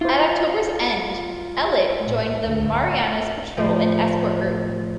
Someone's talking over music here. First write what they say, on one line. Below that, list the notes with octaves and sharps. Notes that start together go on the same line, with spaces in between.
At October's end, "Ellet" joined the Marianas Patrol and Escort Group.
E4 F4 C5
A2
D2
A2 F3